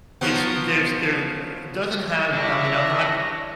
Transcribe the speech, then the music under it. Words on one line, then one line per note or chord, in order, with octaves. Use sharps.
It's there's there, uh it doesn't have I mean, I'm not
F3 F#3 B3
G3 D4 E4 C#5 D5 E5 A#6